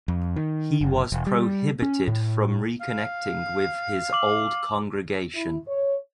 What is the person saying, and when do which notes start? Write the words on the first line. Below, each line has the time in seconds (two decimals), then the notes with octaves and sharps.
He was prohibited from reconnecting with his old congregation.
0.08 F2
0.36 D#3
0.81 F#1
1.12 E1
1.27 G3
1.82 C#4
2.07 A2
2.81 F5
4.13 D6 F#7
5.34 E4
5.68 C#5